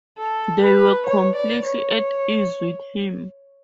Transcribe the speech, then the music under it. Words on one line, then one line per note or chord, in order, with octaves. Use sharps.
They were completely at ease with him.
A4
B4
C#5
D5
C#5